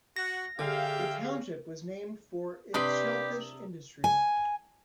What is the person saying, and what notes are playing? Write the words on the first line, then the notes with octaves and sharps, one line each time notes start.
The township was named for its shellfish industry.
F#4 F#5 A#6
D3 G4 G#4 E5 F5 G5
C3 D4 G4 B4 D5 C6 D#6
G#5